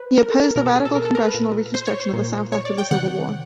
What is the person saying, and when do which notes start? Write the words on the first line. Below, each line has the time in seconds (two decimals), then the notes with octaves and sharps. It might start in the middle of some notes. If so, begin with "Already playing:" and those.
He opposed the radical congressional Reconstruction of the South after the Civil War.
Already playing: B4 C5
0.17 A#4
0.30 A4
0.44 A#4
0.56 B2 A#4
0.66 A4
0.75 G#4
0.85 A4
0.95 A#4
1.05 A4
1.15 A#4
1.25 B4
1.34 A#2
1.74 C5
1.87 C#5
2.00 C5
2.13 A#2
2.52 C#5
2.65 D5
2.78 G5
2.91 C3 D#3 F#5